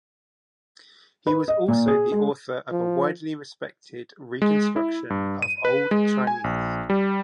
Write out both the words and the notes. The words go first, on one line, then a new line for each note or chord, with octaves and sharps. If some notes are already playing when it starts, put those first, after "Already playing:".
He was also the author of a widely respected reconstruction of Old Chinese.
B4
D#5
A#2
G#4
G#3
F3
G#3
E4
G2
D#7
B4
G#3
G#5
A#1
G3